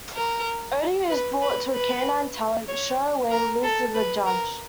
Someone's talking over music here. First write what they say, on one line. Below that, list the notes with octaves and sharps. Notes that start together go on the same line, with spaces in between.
Odie is brought to a canine talent show, where Liz is a judge.
A#4
B4
B4
B4
C#5
A#4
A4
B4
A#4